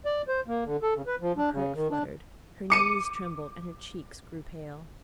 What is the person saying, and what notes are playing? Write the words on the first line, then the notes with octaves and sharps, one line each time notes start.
Her heart fluttered, her knees trembled, and her cheeks grew pale.
D5
C5
A#3
D3
A4
C#3
B4
F3
D4
C#3
D#3
D4
D6 C#7 D#7